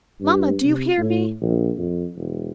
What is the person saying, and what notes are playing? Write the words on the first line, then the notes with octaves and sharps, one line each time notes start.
Mamma! do you hear me?
G2
C3
A2
A#1
F2
E1